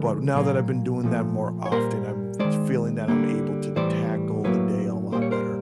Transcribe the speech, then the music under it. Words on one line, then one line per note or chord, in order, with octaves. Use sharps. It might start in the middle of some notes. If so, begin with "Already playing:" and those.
But now that I've been doing that more often, I'm f feeling that I'm able to tackle the day a lot better.
Already playing: D3 F3 G#3 A4 B4
A#2 F#3 A#3
A#2 F3 A3
C#5
A#2 G3 A#3 A#4 C5
D#3 G#3 C5 D5
D3 G3 A#3
A2 E3 G3 C5 D5
A2 F#3 A#3 B4 C#5
A#2 G3 A#3 C5
C#5
A#4 C5